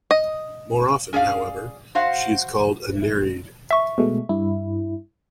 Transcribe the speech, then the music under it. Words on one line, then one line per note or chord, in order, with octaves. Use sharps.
More often, however, she is called a Nereid.
D#5
C#4 G#4 D5 F5
F#4 C5 F5 F#5
E5 C#6
B2 G#3 A3
G2 E4